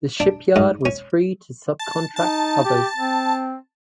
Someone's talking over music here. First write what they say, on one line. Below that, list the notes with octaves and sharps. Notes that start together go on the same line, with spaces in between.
The shipyard was free to subcontract others.
D4
G#2
C#4
A5
D#4 A5
G4
C4